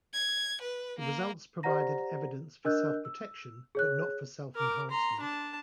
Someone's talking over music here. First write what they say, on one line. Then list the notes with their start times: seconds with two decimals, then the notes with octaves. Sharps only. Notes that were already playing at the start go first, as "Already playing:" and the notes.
The results provided evidence for self-protection but not for self-enhancement.
0.13 G#6
0.61 B4
0.99 A#3
1.63 G4 C5 D5 F#5 A#5 A#6
2.65 D4 A#4 D#5 E6 F#6 G6
3.05 E6
3.75 G#4 C#5 F#6
4.55 A#4 D6
4.91 A#5 C6
5.21 D4 A5